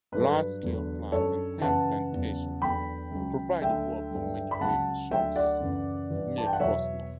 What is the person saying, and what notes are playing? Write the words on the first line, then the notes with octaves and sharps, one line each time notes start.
Large-scale flax and hemp plantations provided work for many weaving shops near Krosno.
G2 F#3 A4 B4
B4
E2 D3 F#3
F#2 D3 F#3 A4 C#5
F#2 C#3 E3 F#5 A5
E2 C#3 F#3
E2 D3 F#3 G5 B5
C#2 C#3 F#3
D2 D3 F#3 E5 G5
G2 D3 F#3
B5
C#2 C#3 F#3 F#5 A5
D2 D3 F#3 E5 G5
D5 F#5
F#2 C#3 E3
G2 E3
A5
G5
F#5
E2 B2 F#3 C#5 E5